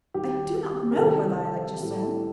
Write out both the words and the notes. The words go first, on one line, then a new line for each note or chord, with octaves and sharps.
"I do not know whether I liked your song."
D#2 D#3 G3 G4
G4
A#4
C2 C3 D#3 G3 A4
A2 G3